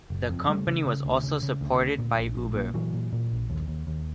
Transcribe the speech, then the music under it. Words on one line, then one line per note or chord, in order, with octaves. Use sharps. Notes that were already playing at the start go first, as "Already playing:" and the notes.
The company was also supported by Uber.
F#1
F2
C#3 G3 A3
C#3
C#3
D2
C#3
C#3
D2
D2
A#2
A#1
A#1
A#2
A#2 E3 F#3
A#2
A#2
A#1
D#2
D#2
D#2